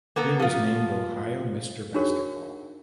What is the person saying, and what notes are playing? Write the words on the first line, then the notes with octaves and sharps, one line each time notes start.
He was named Ohio Mister Basketball.
A#3 B3 A4
F3 F4
D4 D#4 F#4 G#4 A#4 C#5